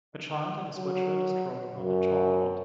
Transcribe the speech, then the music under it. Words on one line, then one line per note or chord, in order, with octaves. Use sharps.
A child in a sweatshirt is drawing on a chalkboard.
F#3
F#2